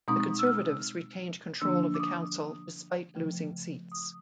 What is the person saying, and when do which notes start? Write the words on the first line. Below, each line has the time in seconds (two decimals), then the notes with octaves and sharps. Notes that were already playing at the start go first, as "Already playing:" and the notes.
The Conservatives retained control of the council despite losing seats.
0.08 B2 G#3 C4 D#4 D#6
0.39 E6
0.47 F6
1.61 D3 F3 A#3 D4 E6
1.94 D6
2.00 D#6
3.15 C#3 F3 A3
3.92 D#6